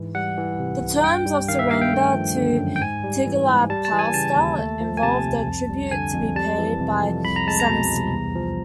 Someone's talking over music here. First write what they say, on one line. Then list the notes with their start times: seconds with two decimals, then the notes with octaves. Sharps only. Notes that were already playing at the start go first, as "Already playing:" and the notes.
The terms of surrender to Tiglath-Pileser involved a tribute to be paid by Samsi.
Already playing: G#2 E3
0.15 G3 F#5
0.38 E3
0.59 C3
0.82 C2
1.04 G2 G5
1.26 G3
1.48 D#3 F5
1.59 E5
1.71 G2 F5
1.81 G5
1.93 A3
2.14 F3
2.36 D3
2.60 F#2
2.76 G5
2.81 G#2 G#5
3.04 G3
3.26 E3
3.48 G#2
3.70 G3 A5
3.85 A5
3.92 E3
3.99 G#5
4.14 C#3 A5
4.36 D#2
4.59 A3
4.81 F3
4.97 G#5
5.03 C3 A5
5.25 C2
5.47 F2
5.70 G3
5.91 D3 G#5
6.14 F2
6.35 G3 A5
6.58 E3
6.80 C3
7.03 F2
7.25 C2 B5
7.36 A#5
7.47 G#3 A5
7.60 A#5
7.70 B2
7.92 C2
8.13 E2
8.35 F3